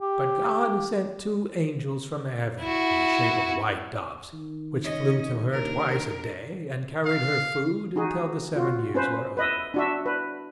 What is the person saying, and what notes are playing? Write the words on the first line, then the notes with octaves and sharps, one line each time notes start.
But God sent two angels from heaven in the shape of white doves, which flew to her twice a day, and carried her food until the seven years were over.
G4
E4 F#4
D#3
C#4 D#5
D#2 D4 A#4
F5
D#4 F#4 G#4
F4 F#4
C#4 B4 C5
B4 D#5 E5
D4 F#4 E5
B4